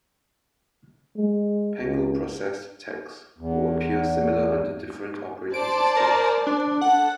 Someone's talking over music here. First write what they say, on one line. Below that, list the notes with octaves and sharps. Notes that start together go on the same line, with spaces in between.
Pango-processed text will appear similar under different operating systems.
G#3
C#2
E2
C5 D5 A5 D7
A#4
D4
A4 F#5